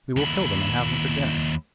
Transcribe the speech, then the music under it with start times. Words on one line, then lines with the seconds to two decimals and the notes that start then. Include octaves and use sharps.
We will kill them and have them for dinner.'
0.17 D#2 E4